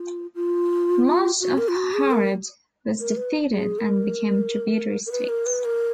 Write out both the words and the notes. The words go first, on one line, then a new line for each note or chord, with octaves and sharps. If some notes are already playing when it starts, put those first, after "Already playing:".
Much of Harad was defeated and became tributary states.
Already playing: F4
F4
F#4
A#4
F4
F#4
G#4
A#4
A#4
B4
G#4
A#4
A#4
B4
A#4
B4
A#4